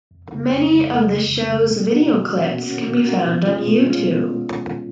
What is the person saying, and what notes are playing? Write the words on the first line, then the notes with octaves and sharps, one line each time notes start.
Many of the shows video clips can be found on YouTube.
F2
C#3 G#3
F2
C#3 G#3
F2
C#3 G#3
F2
C#3 G#3
B2
A#3 C#4 F#4
B2
A#3 C#4 F#4
B2
A#3 C#4 F#4
B2
A#3 C#4 F#4
B2
G#3 C#4 F4
B2
G#3 C#4 F4
B2